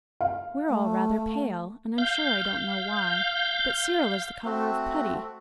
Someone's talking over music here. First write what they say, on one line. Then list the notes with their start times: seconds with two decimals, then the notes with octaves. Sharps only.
We're all rather pale, and I'm sure I don't know why, but Cyril is the colour of putty.'
0.21 F5
0.69 A3
1.98 F5 G6
4.45 A3 C4 F#4